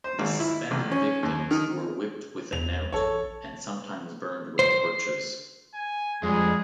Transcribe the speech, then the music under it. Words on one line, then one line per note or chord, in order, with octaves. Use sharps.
The suspended victims were whipped with a knout and sometimes burned with torches.
C5
G#1
E4
A1
C#4
D#2
D#3
E2 F7
A1 A4 C#5
C5
G#5
F2 G3 G#3 G#4